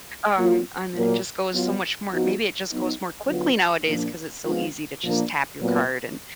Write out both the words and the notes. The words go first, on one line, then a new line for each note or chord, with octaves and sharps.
uh, um, and it just goes so much more Maybe it just goes more quickly nowadays cause it's so easy to just tap your card, and,
F#3 A#3 F4
A#2 F#3 A#3
F#3 B3 F4
F3 B3 D#4 F#4
F#3 B3 D#4
D3 F#3 B3 F4
A#2 F3 A#3 D4
F3 G#3 B3 F4
A#2 F3 A#3 D4
A#2 F#3 B3